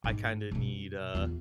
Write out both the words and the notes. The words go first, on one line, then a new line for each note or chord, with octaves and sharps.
I kinda need, uh,
G#2 G#3
F#2 B2
E2 F4